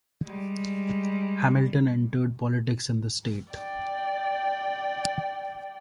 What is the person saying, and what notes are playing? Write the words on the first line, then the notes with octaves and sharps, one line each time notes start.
Hamilton entered politics in the state.
G3 G#3
D5 G5